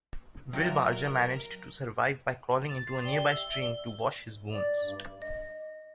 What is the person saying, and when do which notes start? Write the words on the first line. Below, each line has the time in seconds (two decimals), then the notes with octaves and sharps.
Wilbarger managed to survive by crawling into a nearby stream to wash his wounds.
0.53 C3 F#3 D4 F4 F#4 A#4
2.69 A6
2.87 C6 C7
3.05 G4 D5 G5 G7
3.30 E5 E6
3.53 D5
4.37 A2
4.52 D5
4.79 G2
5.22 D#5